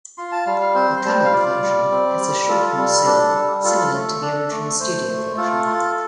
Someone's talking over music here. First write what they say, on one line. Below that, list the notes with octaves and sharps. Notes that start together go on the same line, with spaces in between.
The current version has a shortened solo similar to the original studio version.
F4 C6
A5
G3 F5
F5
C4 C5
C6
G3 A5
G5
F5
F4 D5
G3
C4
G3
F4 A4
G3
D4
G3
F4 A4
A3
D4
A3
A3 C5
A3
F4 A4
F4